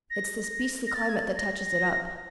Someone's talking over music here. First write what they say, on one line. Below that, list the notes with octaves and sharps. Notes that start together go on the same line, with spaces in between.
It's this beastly climate that touches it up.
A#6
A#6
A6
G#6
A6
A#6
A#6